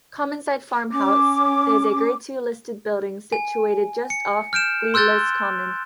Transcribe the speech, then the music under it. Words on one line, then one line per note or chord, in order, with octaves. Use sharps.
Commonside farmhouse is a grade two listed building situated just off Gleadless Common.
C#4 D6
G#5
C#7
F6 G6 D7 E7
C6 E6 F#6 G6 A6 G7